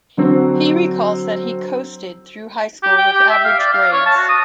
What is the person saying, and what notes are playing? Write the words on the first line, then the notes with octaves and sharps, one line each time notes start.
He recalls that he 'coasted' through high school with average grades.
D3 F#3 C4
G4
G5
G4
E5
F5
D5
F5
C#5
A5
F#4
D#6